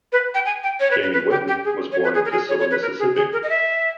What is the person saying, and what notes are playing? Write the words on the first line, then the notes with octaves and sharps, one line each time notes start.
Jamie Whitten was born in Cascilla, Mississippi.
B4
G5
G#5
G5
C#5
B4
B4
B4
G4
G4
G#4
C#5
B4
G#4
A#4
G#4
C#5
C#5
B4
A#4
G#4
G#4
A#4
D#5
E5